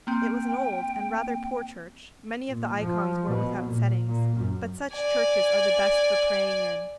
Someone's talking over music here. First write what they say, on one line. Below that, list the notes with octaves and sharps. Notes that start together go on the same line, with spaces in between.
It was an old and rather poor church; many of the ikons were without settings; but such churches are the best for praying in.
A#3 C4 G5
A#2
F3
B2
A#2
A#2
F#2
D5 G#5